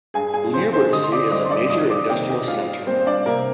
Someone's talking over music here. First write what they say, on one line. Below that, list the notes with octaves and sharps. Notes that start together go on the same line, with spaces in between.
Lyubertsy is a major industrial center.
G2 G#4 G#5
G#4 G#5
F3 C4 C5 C6
C5 C6
D3 D#5 D#6
C6
D5 D6
G3 C4 D#5 D#6
C6
D5 D6
F2 D#5 D#6
D5 D6
C3 D#3 A#3 G4 G5
G4 G5
G#2 F4 F5
G3 A#3 C4 C5
C5
D4 D5
C3 A#3 A#4